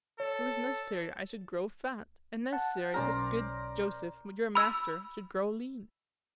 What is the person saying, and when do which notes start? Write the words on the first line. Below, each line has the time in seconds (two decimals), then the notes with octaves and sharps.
It was necessary I should grow fat, and necessary that good Joseph, your master, should grow lean.
0.20 A4 C#5
2.53 F#5 A5
2.94 B1 C#4 A#4 C5 D5 A#6
4.55 B5 E6